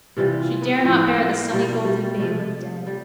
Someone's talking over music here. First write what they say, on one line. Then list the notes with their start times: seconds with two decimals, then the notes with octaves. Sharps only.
She dare not bear the sunnygolden babe of day.
0.17 C3 E3 G3 F4
0.40 F4
0.62 B3
0.84 A2 F3
1.18 F4
1.52 B2 G3 F4
1.85 G3
2.03 G3
2.19 C3 F3 A3
2.87 G3